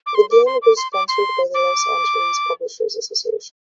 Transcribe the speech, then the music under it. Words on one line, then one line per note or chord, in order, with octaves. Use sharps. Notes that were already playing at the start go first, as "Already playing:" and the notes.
The game was sponsored by the Los Angeles Publishers Association.
D6
C6
D6
C6
D6
C6
D6
C6
D6